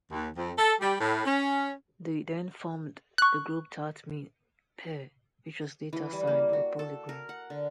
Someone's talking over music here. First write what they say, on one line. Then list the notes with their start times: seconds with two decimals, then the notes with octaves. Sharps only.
They then formed the group Tat Ming Pair, which was later signed by Polygram.
0.12 D#2
0.36 F2
0.57 A4
0.81 G3
1.00 A2
1.24 C#4
3.18 C#6 F#6
5.93 E3
6.13 G3
6.27 A#3
6.53 F#4
6.79 A4
7.09 A#4
7.29 F#5
7.50 D3